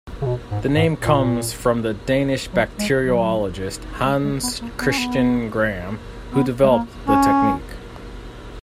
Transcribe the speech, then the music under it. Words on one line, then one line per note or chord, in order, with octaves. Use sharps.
The name comes from the Danish bacteriologist Hans Christian Gram, who developed the technique.
C#3
B2
G#2
G#2
A#2
F#3
G#3
F#3
G#3
G#3
B3
A#3
B3
C#4
B3
B3
G#3
A#3
C#4